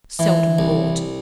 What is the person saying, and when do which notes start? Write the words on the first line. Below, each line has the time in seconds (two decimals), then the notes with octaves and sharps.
Seldom bought.
0.19 E3
0.59 C2